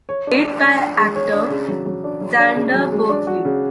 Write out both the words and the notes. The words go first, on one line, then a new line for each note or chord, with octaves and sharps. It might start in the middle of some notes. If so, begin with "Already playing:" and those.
It is played by actor Xander Berkeley.
C#5
D4
D4
D4
D4
G#3
C#5
D4
C#3
F#3
F#3
D4
F#3
D4
C#3
F#3
G#3
D4
F#4
C#3